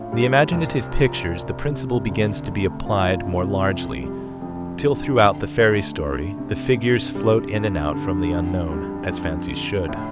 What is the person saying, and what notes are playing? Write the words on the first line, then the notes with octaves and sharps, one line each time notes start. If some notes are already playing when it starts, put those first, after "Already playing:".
In the imaginative pictures the principle begins to be applied more largely, till throughout the fairy story the figures float in and out from the unknown, as fancies should.
Already playing: A2 D4 F4
G3
C2
F3
C2
C3
D2
A3
F4
C3
F2
G3
F2
D3
D2
A3
D4
C3
G2
G3
G2
D3
F2
G3
F2
D3
A2